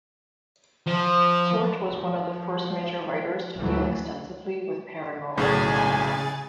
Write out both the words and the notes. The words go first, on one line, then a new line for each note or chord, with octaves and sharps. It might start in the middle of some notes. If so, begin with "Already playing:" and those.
Fort was one of the first major writers to deal extensively with paranormal phenomena.
F3
F3
D2 E3 F#3 A3
B1 A2 C#3 G#4 G#5 A6